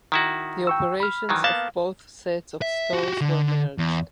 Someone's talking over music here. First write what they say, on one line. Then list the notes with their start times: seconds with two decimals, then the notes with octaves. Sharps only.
The operations of both sets of stores were merged.
0.12 D#3 E4 F#4
0.67 G5 C#6 E6
1.00 B5 F6
1.29 D#3 E3 F#3
1.44 A#3 B3 F5 A5
2.62 E5
2.93 F#4 G4
3.21 D3
3.78 E2